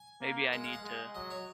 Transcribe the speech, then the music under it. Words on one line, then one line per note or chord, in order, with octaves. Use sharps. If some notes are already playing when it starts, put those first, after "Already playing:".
Maybe I need to
Already playing: G#5
A#3
G#3 F#5
F5
F#5
G#3
F#3 D#5
C#5